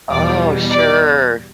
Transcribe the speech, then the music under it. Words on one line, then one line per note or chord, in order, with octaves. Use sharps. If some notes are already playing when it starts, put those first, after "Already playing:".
Oh, sure.
E2 B2 G3 D5
D5